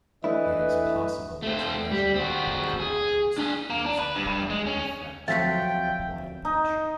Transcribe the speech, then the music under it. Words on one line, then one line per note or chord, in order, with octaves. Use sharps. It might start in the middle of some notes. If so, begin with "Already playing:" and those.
It is possible to measure the bulk modulus using powder diffraction under applied pressure.
E3 A3 D4 E4 B4 D#5
A3 C4
G3
C4 F#4
G#4
D4 G#5
A#3
D4
B4
G2
G2
G#3
C#4
F3 F#3 C4 F#4 E5 G5 A6 B6
D#4